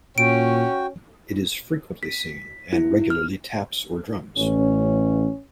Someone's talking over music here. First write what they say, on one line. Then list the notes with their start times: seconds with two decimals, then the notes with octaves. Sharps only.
It is frequently seen, and regularly taps or drums.
0.18 A#2 C#4 F#4 G5 D7
2.03 B6
2.73 E4
3.10 F6
4.38 A1 C#4